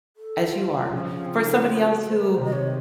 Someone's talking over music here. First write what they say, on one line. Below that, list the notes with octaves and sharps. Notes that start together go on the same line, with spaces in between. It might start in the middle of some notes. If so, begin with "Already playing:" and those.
as you are, for somebody else who
A4
F4
C#3 F3
C#4
C4
F4
D#4
F4
F#4
A4
C5
A#4
C3 D#3 C5
D#5
C#5